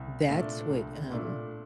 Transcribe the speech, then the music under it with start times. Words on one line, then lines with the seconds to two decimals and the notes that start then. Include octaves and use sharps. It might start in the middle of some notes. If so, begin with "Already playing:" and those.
that's what, um
Already playing: C2
0.29 A#2 A3 D4
0.70 C2
1.10 A#2 A3 D4